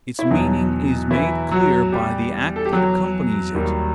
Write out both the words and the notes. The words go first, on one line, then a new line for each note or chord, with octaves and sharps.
Its meaning is made clear by the act that accompanies it.
E4
E2 B2 F#3 D#4
E3 E4
F#3 F#4
G3 G4
A4
G4
F#3 F#4
D#2 D#3 G3